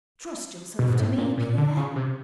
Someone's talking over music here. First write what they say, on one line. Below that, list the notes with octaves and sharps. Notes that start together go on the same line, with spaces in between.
Trust yourself to me, Pierre.
B2
G#2
A2
A#2
A#2
D3
C#3
C3